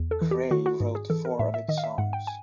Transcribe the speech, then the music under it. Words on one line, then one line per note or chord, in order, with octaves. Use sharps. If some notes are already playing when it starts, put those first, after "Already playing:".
Cray wrote four of its songs.
Already playing: E2
A4
E3
G4
D#3 F#4
F#4
G#2
G#4
E3 A4
A#4
A2 E5
E5
D#3 D#5
F5
E5
G#2 F#5
G5
G#5